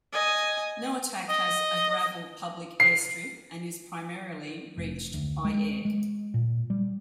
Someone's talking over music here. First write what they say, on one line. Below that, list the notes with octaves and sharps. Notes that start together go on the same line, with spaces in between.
Noatak has a gravel public airstrip and is primarily reached by air.
D#5 G#5
D#5
C7
F1
D2
G#3
G#3
A#2
G3